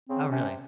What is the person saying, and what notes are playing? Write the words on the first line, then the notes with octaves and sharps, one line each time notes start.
Oh, really?
C#3 C4
C3 C#4